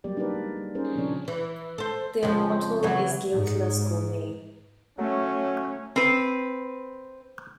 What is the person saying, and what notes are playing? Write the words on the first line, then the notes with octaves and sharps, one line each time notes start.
Their motto is Guiltless Gourmet.
F#3 G3 A#3 G4 D5
D4 D#4 G4 A#4 B4 D5
G#3
G3
C#4 D#4 G#4 A#4 C5
A#2 C#3 F3 C4 D4 C#5
E3
A4 C5
F2 C#3 F3
C#3 E3 F#3
G#2
F#3 A3 C#4
C4 B4